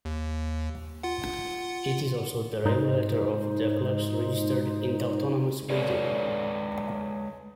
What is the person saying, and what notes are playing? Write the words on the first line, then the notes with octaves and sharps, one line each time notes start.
It is also the regulator of the clubs registered in the autonomous region.
D#2
F4 F#5
G#2 D#4 C5
G#3 A4 B4 C#5 D5